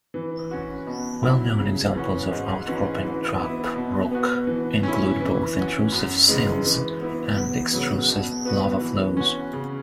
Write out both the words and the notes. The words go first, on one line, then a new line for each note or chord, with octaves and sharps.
Well-known examples of outcropping trap rock include both intrusive sills and extrusive lava flows.
E3
C#4 F#4
B2
F#3 E4
C#3
E3 C#4 F#4
G#2
E3 C#4 F#4
E3
B3 E4
B2
B3 F#4
E3
C#4 E4
E3
C#4 F#4
F#2
C#3 E3 G#3
E3
B3 E4
E2
C#3 F#3 B3
B2
B3 F#4
E3
C#4 F#4
C#3